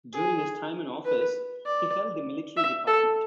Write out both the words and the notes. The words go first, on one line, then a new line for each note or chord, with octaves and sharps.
During his time in office he held the Military Department.
G#4
B4
D5
E5
A4